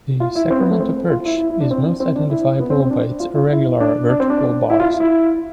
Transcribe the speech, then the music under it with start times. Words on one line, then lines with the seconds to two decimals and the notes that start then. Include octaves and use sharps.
The Sacramento perch is most identifiable by its irregular vertical bars.
0.20 F4
0.35 E4
0.50 C4
0.60 B3
0.71 A3
0.80 C4
1.10 F4
1.25 E4
1.40 E4
1.50 E4
1.60 D4
1.71 C4
2.00 C4
2.15 D4
2.30 E4
2.60 B3
2.70 C4
2.80 C4
2.90 D4
3.20 F4
3.35 F4
3.50 E4
3.80 D4
4.10 D4
4.20 C4
4.30 D4
4.70 E4
4.80 F4
4.90 E4
5.00 E4